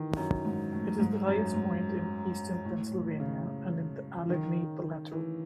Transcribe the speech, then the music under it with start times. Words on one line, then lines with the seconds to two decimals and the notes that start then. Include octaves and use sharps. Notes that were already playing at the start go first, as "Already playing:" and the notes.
It is the highest point in Eastern Pennsylvania and in the Allegheny Plateau.
Already playing: D#3 E3
0.17 F#2
0.45 G#2
0.73 A2
1.00 G#2
1.27 F#2
1.54 G#2
2.65 A2
2.92 A2
3.20 C#3
4.29 D#3
5.12 E3